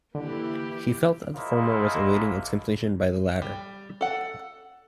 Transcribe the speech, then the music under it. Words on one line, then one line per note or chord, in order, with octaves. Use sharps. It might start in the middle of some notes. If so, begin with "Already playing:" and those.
He felt that the former was awaiting its completion by the latter.
D3 E3 A#3 E4 G4 B5
F3 F#3 G#3 A#3 D#4 E4
G3
A4 F#5